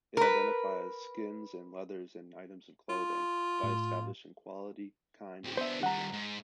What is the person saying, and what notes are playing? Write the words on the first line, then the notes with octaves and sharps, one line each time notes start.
It identifies skins and leathers in items of clothing, by establishing quality, kind and treatments.
A#4 B4
F4
A2
A2 C4
B3 D4 C5 E5
D#3 G3 F#5 A#5
G#2